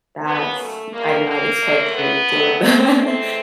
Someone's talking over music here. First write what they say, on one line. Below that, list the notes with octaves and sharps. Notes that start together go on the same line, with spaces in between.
that's I did not expect to deal with that.
D#2 C#3 F#3 B3
A3
E2 B2 G3 A#3
A#3
A#2 F#3 A3
B3
D#2 D#3 F#3 A3
C4
G#2 E3 A3 C4